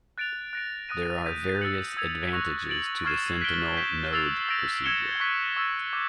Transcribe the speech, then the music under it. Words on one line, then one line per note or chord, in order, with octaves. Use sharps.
There are various advantages to the sentinel node procedure.
F#6 A6 D7 F7
F#6 A#6 D7
D#6 F#6 A#6 D#7
G6 B6 D#7
E6 A6 C#7 F#7
E6 G#6 C#7 F7
C#6 F#6 A#6 C#7 F7
A6 D7 F#7
C#6 F6 G#6 C7 E7
F#6 B6 D7 G7
G6 B6 E7 G7
E6 A6 C7 F7
E6 G6 A#6 D7 F7
E6 G#6 C#7 E7 G7
C#6 F#6 B6
C#6 E6 A6
D6 G6